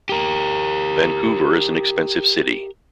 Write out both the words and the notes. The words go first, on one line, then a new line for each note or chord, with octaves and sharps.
Vancouver is an expensive city.
G4 A#4